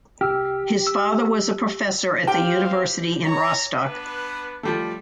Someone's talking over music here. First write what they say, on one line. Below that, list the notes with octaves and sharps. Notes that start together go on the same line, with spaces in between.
His father was a professor at the university in Rostock.
C2 G4 E6 F6
E6
C4 G4 F5 G5
C#5 A#5
B3 D4 B4
F3 G3 A3